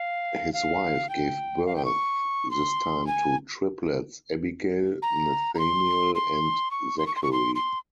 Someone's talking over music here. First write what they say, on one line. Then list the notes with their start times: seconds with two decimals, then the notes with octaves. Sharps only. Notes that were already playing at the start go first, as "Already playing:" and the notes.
His wife gave birth this time to triplets Abigail, Nathaniel and Zachary.
Already playing: F5
0.54 F5
1.09 G5
1.66 F5
1.76 G5
1.85 C#6
2.51 C6
3.07 G#5
5.02 A#5
5.55 A#5
5.59 C6
6.15 C6
6.71 C#6
6.98 C6
7.07 C#6
7.16 C6
7.23 C#6
7.32 C6
7.55 C6